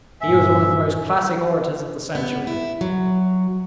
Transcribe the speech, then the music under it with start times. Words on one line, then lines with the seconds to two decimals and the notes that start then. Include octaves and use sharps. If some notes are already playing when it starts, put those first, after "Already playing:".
He was one of the most classic orators of the century.
0.21 G2 A#2 E5 G#5
2.15 B3
2.47 E4
2.81 F#3